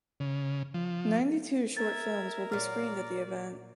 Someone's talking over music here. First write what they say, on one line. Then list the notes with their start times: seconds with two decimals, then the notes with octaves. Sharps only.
Ninety two short films will be screened at the event.
0.20 C#3
0.74 F3
1.77 A#4 E5 G#6 A6
2.52 A#2 F#3 D5 F6